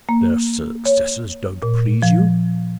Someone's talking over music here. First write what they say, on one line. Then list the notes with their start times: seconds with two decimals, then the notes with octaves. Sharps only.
"Their successors don't please you?"
0.09 A#3
0.85 C#5
1.63 A#2
2.02 F3